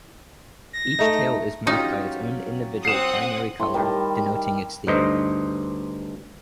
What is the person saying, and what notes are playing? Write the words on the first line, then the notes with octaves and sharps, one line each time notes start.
Each tale is marked by its own individual primary colour, denoting its theme.
A#6
A3 D#4
F#3 C#4 D#4 F4 G4
C4 F#5 D#6 C7 E7
A2 A4 C6 C#6
D#3 G3 A#4 A5
D2 G2 D#4 C5 D#5